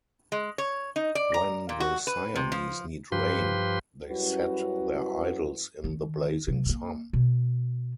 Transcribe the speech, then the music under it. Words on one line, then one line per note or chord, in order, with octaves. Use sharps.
When the Siamese need rain, they set their idols in the blazing sun.
G#3
C#5
D#4
D5
A#5
A#2
F#4
B4
C3
F3
G2 F3 G4 B4 C6
F#2 G3 C#4 E4 F#4 B4
D#3
C3 F#3
A3 A#3
B2